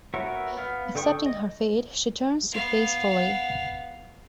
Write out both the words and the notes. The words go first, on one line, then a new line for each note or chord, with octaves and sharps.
Accepting her fate, she turns to face Foley.
B3 F#4 A#4 C#5 E5
B3 F5
D3 A4 G5 C#6 D#6
D#5
B3 F5